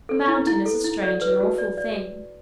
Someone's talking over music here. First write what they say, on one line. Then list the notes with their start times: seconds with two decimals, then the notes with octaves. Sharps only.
A mountain is a strange and awful thing.
0.09 A4
0.28 E4
0.47 E4
0.66 A4
0.84 E4
1.03 D5
1.21 B4
1.40 F#4
1.58 D5
1.77 D5